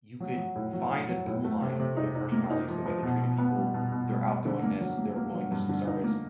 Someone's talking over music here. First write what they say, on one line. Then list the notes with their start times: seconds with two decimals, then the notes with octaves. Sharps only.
you could find a through line through their personalities, the way they treated people, their outgoingness, their willingness of service.
0.20 F#3
0.37 F#3
0.56 A2
0.73 F#3
0.90 A2
1.09 F#3
1.26 A2
1.44 A3
1.61 C3
1.80 C3
1.97 D#4
2.15 D#4
2.32 A#3
2.50 D#4
2.68 F3
2.86 F3
3.03 B2
3.21 B2
3.38 B3
3.56 G3
3.74 B2
3.92 B2
4.09 G3
4.28 G3
4.45 D3
4.63 A#3
4.80 F#3
4.98 A#3
5.16 A#3
5.34 F#3
5.51 G2
5.69 D3
5.87 D#4
6.04 A#3